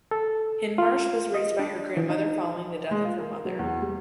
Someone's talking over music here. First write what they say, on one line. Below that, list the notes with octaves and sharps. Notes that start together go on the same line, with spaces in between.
Hindmarsh was raised by her grandmother following the death of her mother.
A4
F4
D#5
D4
E3
D#4
G#3
F4
A#4
F#3
E2
G3